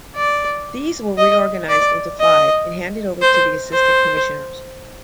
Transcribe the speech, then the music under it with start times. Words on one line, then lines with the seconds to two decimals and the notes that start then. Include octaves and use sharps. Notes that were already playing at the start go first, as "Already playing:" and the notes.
These were reorganised into five and handed over to the assistant commissioners.
0.15 D5
1.18 D#5
1.69 D5
2.20 D#5
3.22 C5
3.73 C5